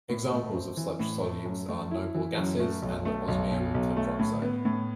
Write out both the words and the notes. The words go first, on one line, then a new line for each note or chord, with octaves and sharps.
Examples of such solutes are noble gases and osmium tetroxide.
A2
A3
C4
E3
A2
A3
F#2
A3
E4
E3
F#2
A3
B1
A3
B1
B2
B1
A3
A2
B3
A2